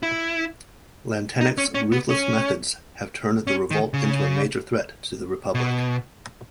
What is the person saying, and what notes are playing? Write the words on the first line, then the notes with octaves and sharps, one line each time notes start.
Lantenac's ruthless methods have turned the revolt into a major threat to the Republic.
E4
D#4
C#4
C#4
B3
C#4
C#4
D#3
C#3
B2